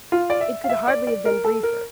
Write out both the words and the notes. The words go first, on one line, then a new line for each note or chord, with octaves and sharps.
It could hardly have been briefer.
F4
D5
E5
F5
E5
D5
D5
A#4
A4
A#4